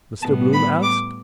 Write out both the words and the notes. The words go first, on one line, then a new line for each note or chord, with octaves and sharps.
Mr Bloom asked.
A2 G3 B3 A5
B5
D6